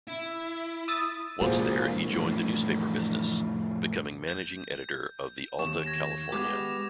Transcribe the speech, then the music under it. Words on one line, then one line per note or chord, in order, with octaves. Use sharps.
Once there he joined the newspaper business, becoming managing editor of the "Alta California".
E4
D#6 E6 A6
A#2 D3 E3 G#3 F#4 G#4 C5 F5
F2 A2
G6
D#2 C#6
G#6 A#6 E7
G#3 B3 G4 D6